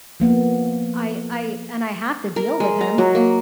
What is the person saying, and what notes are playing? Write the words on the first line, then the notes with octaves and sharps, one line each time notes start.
I I and I have to deal with him,
F3 A#3 B3
A#4
G#3
A#5
F#3
A#3